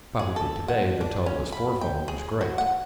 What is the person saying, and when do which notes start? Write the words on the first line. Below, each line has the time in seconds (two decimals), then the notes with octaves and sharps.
Probably to-day the total is four-fold as great.
0.19 G#4
0.36 A4
0.68 F#5
1.01 D4
1.26 C#4
1.52 B5
1.81 G5
2.08 G#4
2.41 F#4
2.58 F#5